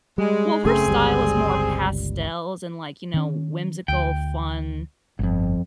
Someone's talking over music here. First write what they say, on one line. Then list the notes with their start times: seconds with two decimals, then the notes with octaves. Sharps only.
Well, her style is more pastels, and, like, you know, wh whimsical, fun,
0.18 G3 G#3
0.65 F#1 C#3 A3 C4 G#4
0.86 G1 C#2 G3
3.14 D#3 C#4
3.88 D2 G5
5.19 G1 C2 F2